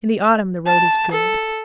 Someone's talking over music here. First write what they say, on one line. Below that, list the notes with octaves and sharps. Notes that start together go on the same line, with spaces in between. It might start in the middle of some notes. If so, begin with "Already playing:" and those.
In the autumn the road is good.
A5
A4